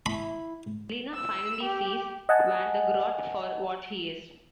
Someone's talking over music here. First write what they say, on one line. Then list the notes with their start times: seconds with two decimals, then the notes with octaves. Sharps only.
Lina finally sees Vandergroat for what he is.
0.06 E4 B5
1.14 E6
1.63 G4
2.29 D#5 F#5 G#5 A5